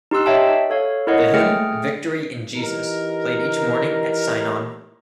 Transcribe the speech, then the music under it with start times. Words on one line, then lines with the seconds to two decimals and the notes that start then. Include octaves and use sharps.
The hymn "Victory in Jesus" played each morning at sign-on.
0.11 D#4 G4 C6 E6 F#6
0.26 C#5 D#5 E5 G5 A5
0.70 A4 C#5 F5
1.07 E4 A#4 C#5 D#5 F#5
1.34 A3 G#4 G5 F6 A6 C#7
2.54 E3 D#4 G4 A#4